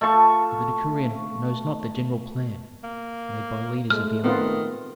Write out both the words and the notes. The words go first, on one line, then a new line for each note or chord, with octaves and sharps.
But the decurion knows not the general plan made by leaders of the army.
A3 F5 A5 C#6
A#3
G#3 A3 F6
D#3 B3 C4 F4